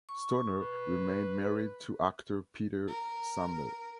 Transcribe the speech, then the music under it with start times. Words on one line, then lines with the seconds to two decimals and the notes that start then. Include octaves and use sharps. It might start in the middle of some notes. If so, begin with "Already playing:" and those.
Stoner remained married to actor Peter Sumner.
0.09 C#6
0.60 B4
2.88 A#4